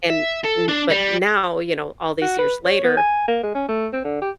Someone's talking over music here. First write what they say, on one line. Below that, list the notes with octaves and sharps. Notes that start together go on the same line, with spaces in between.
And n but now, you know, all these years later,
E5
A4
D4
G3
F#4
B4
C#5
B3
G#5
A#3
G#3
C#4
A3
C4
D3
G4